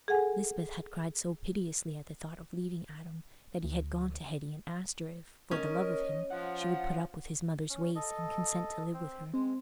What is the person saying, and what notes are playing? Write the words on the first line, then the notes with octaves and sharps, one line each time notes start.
Lisbeth had cried so piteously at the thought of leaving Adam that he had gone to Hetty and asked her if, for the love of him, she would put up with his mother's ways and consent to live with her.
G#4 A4 F#5 G#5
D2
C#4 A#4 D#5
F3 F#5
C#4
A4 D#5
C4
G#3 C4